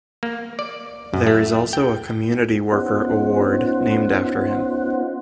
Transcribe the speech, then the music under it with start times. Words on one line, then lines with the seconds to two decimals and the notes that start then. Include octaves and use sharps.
There is also a Community Worker award named after him.
0.23 A#3
0.59 D5
1.14 F#2
1.26 A3
1.73 G5
2.72 B3 C#4 D#4 F4 C5 F#5